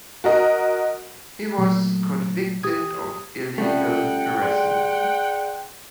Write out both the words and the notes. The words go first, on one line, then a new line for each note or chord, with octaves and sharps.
He was convicted of illegal harassment.
F#4 A#4 D#5
A#2 F#3 A3
G4 D#6 G#6
G3 A3 C#4 F4 A4 F#5 G5
G#4 D5 C6